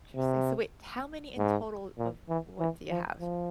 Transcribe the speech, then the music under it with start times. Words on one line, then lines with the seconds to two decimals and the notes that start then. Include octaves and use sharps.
Interesting, so, wait, how many in total of what do you have?
0.16 C3
1.38 G#2
1.98 A#2
2.29 E3
2.60 E3
2.90 F3
3.21 F3